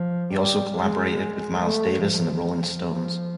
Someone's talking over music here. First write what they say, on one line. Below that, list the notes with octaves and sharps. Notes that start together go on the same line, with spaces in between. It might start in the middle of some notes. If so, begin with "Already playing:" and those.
He also collaborated with Miles Davis and the Rolling Stones.
Already playing: F3
G3
G#3
A3
F3
F3